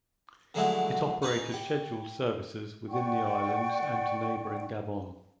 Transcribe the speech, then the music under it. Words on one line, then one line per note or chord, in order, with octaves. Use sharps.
It operated scheduled services within the islands and to neighbouring Gabon.
D3 F3 F#3 G#3 A3 E4
C#4 D#4 B4 A#5
G4 C#5
D5 F#5 G5 C#6